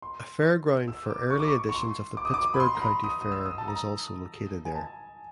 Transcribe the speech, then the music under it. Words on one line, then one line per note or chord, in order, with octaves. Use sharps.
A fairground for early editions of the Pittsburg County Fair was also located there.
C6
E6
D6
C#6
D6
C#6
C#6
C6
D6
D#6
D6
B5
C6
A#5
B5
D#6
D#6
E6
D#6
A5
A#5
G#5
A5